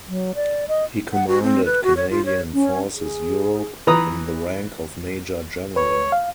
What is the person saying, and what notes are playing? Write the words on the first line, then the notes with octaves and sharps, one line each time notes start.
He commanded Canadian Forces Europe, in the rank of major-general.
F#3
D5
D#5
F#5
F#4
C4
B4
F#4
C#5
F4
C#5
C#4
G#4
E3 B4 A#5 D#6
B4 C#5
F5